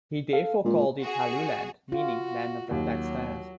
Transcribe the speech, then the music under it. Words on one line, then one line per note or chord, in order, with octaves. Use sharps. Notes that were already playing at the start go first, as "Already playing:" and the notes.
He therefore called it Helluland meaning "Land of the Flat Stones".
A4 F5
A#2 G#3
F#4 G#4
F4 F#4
D#2 F#3